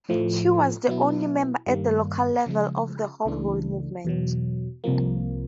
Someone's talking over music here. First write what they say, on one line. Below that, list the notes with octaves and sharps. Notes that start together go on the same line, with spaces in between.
He was the only member at the local level of the Home Rule movement.
A2 F3 A3
B2 F#3 B3 E4
G2 D#3 G3 A#3
C#3 F3 G#3
C#2 C#3 E3 A3 D4
E2 B2 F#3
C2 C3 F3 A#3